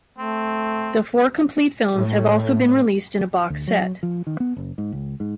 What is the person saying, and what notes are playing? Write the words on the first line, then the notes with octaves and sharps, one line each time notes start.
The four complete films have also been released in a box set.
A3 C4
A2
D2
F#3
F3
D#3
B3
F#1
G#2
C#2
G#2